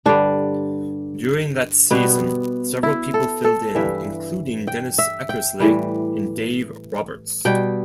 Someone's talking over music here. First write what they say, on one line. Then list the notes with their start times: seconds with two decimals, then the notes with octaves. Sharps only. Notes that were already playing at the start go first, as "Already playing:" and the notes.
During that season, several people filled in including Dennis Eckersley and Dave Roberts.
0.06 G2 D3 G3 D4
1.91 B2 G3 B3
2.83 E4
3.14 A4
3.44 A4
3.75 G2 E3 G3 E5
4.67 G5
4.98 E5
5.29 G5
5.60 A2 E3 G3
7.45 B2 G3 G5